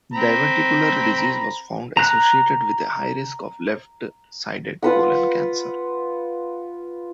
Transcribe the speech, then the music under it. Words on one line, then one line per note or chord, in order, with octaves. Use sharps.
Diverticular disease was found associated with a higher risk of left sided colon cancer.
C4 A#5 B5
A#5 F#6
F4 B4 F#5